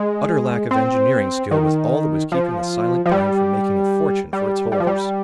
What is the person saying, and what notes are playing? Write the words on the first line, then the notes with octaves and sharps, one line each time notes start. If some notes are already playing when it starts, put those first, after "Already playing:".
Utter lack of engineering skill was all that was keeping the Silent Pine from making a fortune for its holders.
Already playing: G#3
C4
D#3
F3
F3
G3
G3
G3
F3
G3